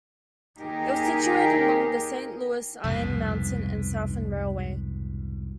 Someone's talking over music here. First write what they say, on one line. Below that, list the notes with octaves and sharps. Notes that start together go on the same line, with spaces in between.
It was situated along the Saint Louis, Iron Mountain and Southern Railway.
D#2 D#4 G4 G#4 A#4 D#5
C2 F2 G#2 B2